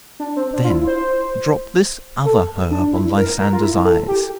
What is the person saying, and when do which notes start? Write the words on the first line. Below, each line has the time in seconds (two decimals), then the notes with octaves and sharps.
Then drop this other herb on Lysander's eyes.
0.20 D4
0.36 C4
0.53 D4
0.64 F4
0.70 E4
0.87 C5
2.25 A4
2.71 D4
2.93 E4
3.18 A#4
3.40 A#4
3.53 F4
3.63 E4
3.85 A4
4.08 G4